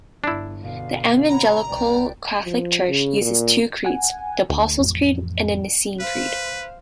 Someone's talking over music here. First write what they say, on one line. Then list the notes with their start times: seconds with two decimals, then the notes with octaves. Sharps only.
The Evangelical Catholic Church uses two creeds: the Apostles' Creed and the Nicene Creed.
0.24 G1 D4 E4
0.62 B2 D3 F5
1.29 C#5 F#5 A#5 B5
1.68 C2 B4 D5 G5
2.44 F3
2.88 C#3
3.21 A#2
3.85 F#5 G#5
4.50 D2
4.79 A1 F2
6.00 B4 C5 F5